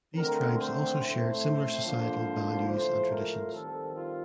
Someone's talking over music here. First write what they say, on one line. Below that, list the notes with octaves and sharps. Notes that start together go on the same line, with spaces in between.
These tribes also shared similar societal values and traditions.
D3 A3 C4 A#4
C5
A2 A3 C4 C5
D3 F3 A#3
A2 F3 A3 C5
A#4
D#3 G3 C4 A4
F4